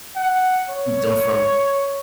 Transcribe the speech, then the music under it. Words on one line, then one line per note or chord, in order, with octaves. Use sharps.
done from
F#5
C#5